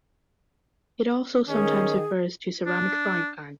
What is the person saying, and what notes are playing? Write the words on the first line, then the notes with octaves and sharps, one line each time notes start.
It also sometimes refers to ceramic frying pan.
D#3 C#4 G#4
D4